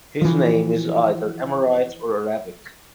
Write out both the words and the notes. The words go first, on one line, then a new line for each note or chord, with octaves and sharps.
His name is either Amorite or Arabic.
E3 F3